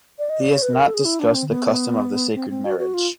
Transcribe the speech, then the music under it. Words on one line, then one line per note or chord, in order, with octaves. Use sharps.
He has not discussed the custom of the sacred marriage.
D5
D#5
D5
C#5
B4
A#4
A4
G#4
E4
D4
C4
B3
C4
C4
F#4
F#4
F4